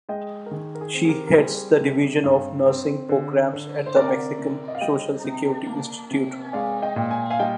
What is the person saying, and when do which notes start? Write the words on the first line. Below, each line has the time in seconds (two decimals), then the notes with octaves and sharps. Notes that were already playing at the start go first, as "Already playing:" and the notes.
She heads the Division of Nursing Programs at the Mexican Social Security Institute.
0.09 G#3 D#5 G5
0.46 A#4
0.51 D#3 G#4
0.75 A#4
0.81 G#4
0.94 C4
1.05 G#4
1.09 G4 A#4
1.27 A#4
1.38 G3 G#4 C5
1.80 C3
2.24 G2
2.66 C4
3.09 D3
3.53 D3
3.86 C5
3.96 C3 A#4 D5
4.39 C3
4.68 D#5
4.75 F5
4.81 G3 D#5 G5
5.24 C3
5.67 A#3
6.11 C3
6.53 G#3 D5 F5
6.82 D#5 G5
6.96 A#2
7.11 G#5
7.30 F5 G#5
7.39 G3 D#5 G5